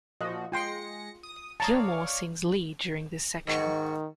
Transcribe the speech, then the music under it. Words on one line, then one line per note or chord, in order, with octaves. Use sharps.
Gilmour sings lead during this section.
A#2 F3 F#4 D#5
G#3 F4 G5 C6 A#6 C#7
D#6
C#5 D5 F5 A5 A#5 D#6
G#2 D#3 F#4 C#6